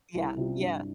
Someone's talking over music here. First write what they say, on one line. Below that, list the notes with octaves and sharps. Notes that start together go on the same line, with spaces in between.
Yeah. Yeah.
C2
C3 G3 C4 F4
G2